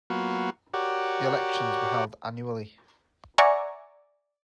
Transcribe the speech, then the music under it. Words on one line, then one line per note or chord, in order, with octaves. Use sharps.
The elections were held annually.
F#3 A#3 B3 F4 F#4
F#4 G4 A#4 C#5 D5 F#5
D5 E5 F#5 G#5 A#5 C#6